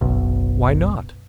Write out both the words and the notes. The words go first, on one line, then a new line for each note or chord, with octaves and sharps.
Why not?
F#1 B1